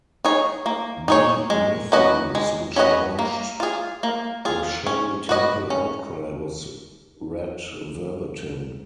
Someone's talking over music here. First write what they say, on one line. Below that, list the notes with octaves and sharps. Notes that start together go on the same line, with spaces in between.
B. Matthews, which launched the Shirley Temple outcry was read verbatim.
D#4 G#4 C#5
A#3
D#4 G#4 C#5
G#3
C#4 F#4 B4 D#5
G#3
C#4 F#4 B4 D#5
A#3
F4 G#4
A#3
F4 G#4
C#4
F#4 B4 D#5
C#4